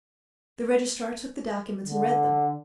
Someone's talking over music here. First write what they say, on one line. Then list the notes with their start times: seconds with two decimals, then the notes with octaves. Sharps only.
The registrar took the documents and read them.
1.86 D3